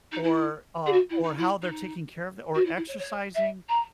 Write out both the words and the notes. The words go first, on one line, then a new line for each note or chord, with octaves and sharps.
or, uh, or how they're taking care of them or exercising,
D#4
E4
G#4
F#4
E4
D#4
E4
D#4
F#4
E4
E4
C#5
C#5
E5
A#5